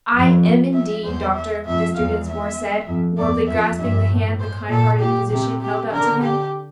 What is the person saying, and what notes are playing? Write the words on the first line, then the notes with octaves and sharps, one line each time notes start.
"I am, indeed, doctor," Mr. Dinsmore said, warmly grasping the hand the kind-hearted physician held out to him.
F2
E5
E2 C5
E5
F2 E5
E2 F5
E5
F2
E2 D5
F2 E5
G2 E5
A2
C5
A#2 A4
A#2 G4
C3 G4
G4
D3 A#4
G4